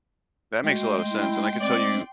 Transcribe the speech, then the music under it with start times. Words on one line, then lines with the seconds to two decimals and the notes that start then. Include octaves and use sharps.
That makes a lotta sense, and I could tell you-
0.64 G#3 A3 F#4 D#5 G5 C6
1.11 E4
1.61 C4 D5